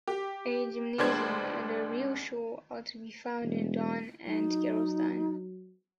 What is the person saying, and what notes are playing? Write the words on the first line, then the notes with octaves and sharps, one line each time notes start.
A Gymnasium and a Realschule are to be found in Daun and Gerolstein.
G4
F1 C#2 D4 C5 G#6
E1
F#3 D#4